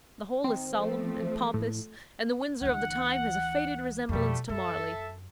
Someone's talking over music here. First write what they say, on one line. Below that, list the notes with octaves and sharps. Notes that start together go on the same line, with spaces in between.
The whole is solemn and pompous, and the Windsor of the time has a faded resemblance to Marly.
D#3 C4
F3 A3
A2
D2 E3 F#5
F2 B2 G3 A3
F#2 A4 E5